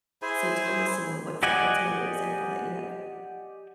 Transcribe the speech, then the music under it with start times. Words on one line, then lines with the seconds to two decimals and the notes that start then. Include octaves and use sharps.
So tell me some more. What's a what's another example that you have?
0.22 E4 G#4 C5 G#5
1.43 G4 D5 D#5 F#5 G#5